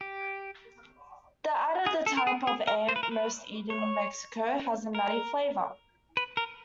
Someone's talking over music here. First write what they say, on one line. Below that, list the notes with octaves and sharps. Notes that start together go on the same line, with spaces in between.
The "Atta", the type of ant most eaten in Mexico, has a nutty flavor.
G4
G#4
A4
A#4
G#4
G#4
A#4
C5
B4
A#4
B4
C#5
A#4
B4
A#4